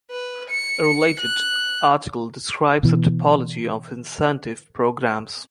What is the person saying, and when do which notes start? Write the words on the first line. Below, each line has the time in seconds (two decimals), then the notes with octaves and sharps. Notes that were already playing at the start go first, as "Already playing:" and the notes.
A related article describes a typology of incentive programs.
0.10 B4
0.50 C#7
1.20 F#6
2.83 B2 E3